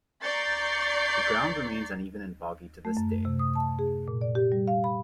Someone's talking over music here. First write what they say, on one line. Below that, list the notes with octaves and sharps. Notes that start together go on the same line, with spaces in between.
The ground remains uneven and boggy to this day.
D5 A#5 C#6 G6 A6 C7
A3
F#2
C3
D#6
A5
G#4
A#2
D5
G4
G3
F5
B5